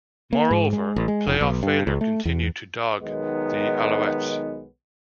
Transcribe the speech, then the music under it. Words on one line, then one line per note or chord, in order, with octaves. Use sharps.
Moreover, playoff failure continued to dog the Alouettes.
A#3
G#2
G#3
A1
G#3
F1
B1
G2
C#2
A3
E2
B1 D#3 G#3 B3